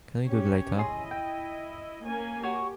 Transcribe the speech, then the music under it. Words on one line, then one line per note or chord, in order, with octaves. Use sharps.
Can we do it later?
C#4 G4 C#5
E4 G#4 D#5 C6
G5
A#3 C#4 G#5
F#4 G4 C#5